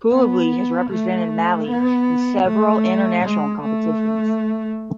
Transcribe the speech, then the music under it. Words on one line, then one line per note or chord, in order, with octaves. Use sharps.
Coulibaly has represented Mali in several international competitions.
B3
A3
B3
A3
G#3
A3